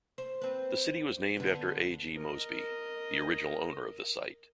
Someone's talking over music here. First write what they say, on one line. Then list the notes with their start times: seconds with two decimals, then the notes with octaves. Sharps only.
The city was named after A. G. Mosby, the original owner of the site.
0.18 C5
0.41 C4 B4
1.37 D3 B3
2.15 A#4 D#5